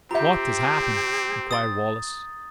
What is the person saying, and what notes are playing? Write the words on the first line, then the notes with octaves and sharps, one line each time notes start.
"What has happened?" inquired Wallace.
C4 F4 G4 E5 A#5 G6
D#6 A6